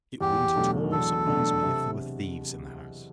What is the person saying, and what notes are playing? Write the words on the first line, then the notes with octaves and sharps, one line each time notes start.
It wouldn't at all surprise me if there were thieves in the house.
E2 G4
B2 F#3 A3 D4
E2 A4
B2 F#3 A3 D4
C3